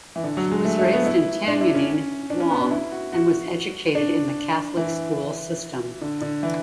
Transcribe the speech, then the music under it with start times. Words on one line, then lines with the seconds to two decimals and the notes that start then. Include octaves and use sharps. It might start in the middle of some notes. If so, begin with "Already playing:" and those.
He was raised in Tamuning, Guam and was educated in the Catholic school system.
0.16 E3
0.24 D3
0.37 F#3
0.51 G#3
0.65 A3
0.79 A3
0.93 B3
1.06 E4
1.48 D4
1.61 E4
1.75 C#4
2.30 D4
2.40 C#4
2.50 B3
2.61 D4
2.71 E4
2.92 F#4
3.13 F#4
3.95 D4
4.77 E3
6.01 D3
6.22 D3
6.43 E3